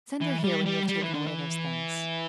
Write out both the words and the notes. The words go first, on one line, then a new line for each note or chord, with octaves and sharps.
"Send her here when you have taken away those things."
E3
G3
G3
G3
E3
D3
E3